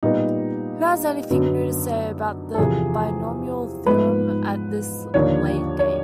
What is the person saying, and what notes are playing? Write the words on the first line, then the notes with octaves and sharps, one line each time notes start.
Who has anything new to say about the binomial theorem at this late date?
A#2 G3 B3 D#4
F#2 D3 F#3 B3
A4
E2 C3 F3 G#4
G#2 F3 G#3 B3 B4
D#2 D3 F3 A#3 D4 C#5
C#5